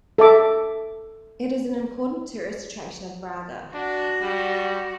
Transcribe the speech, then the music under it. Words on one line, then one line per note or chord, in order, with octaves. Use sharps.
It is an important tourist attraction of Braga.
A4 E5 D6
D4 F#4
G3